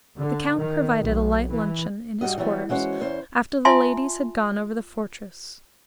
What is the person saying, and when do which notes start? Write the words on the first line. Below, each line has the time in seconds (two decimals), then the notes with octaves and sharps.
The count provided a light luncheon in his quarters after the ladies had gone over the fortress.
0.17 D3
0.59 D#3
1.01 B1
1.51 E3
2.21 G2 G3 F#4 D#5
2.38 E3 F#3 G3 B3
2.69 E3 G#3 C#4 F#4 C5 C#5
3.01 E2 C#4 C5
3.65 F4 E5 G#5 A5 C6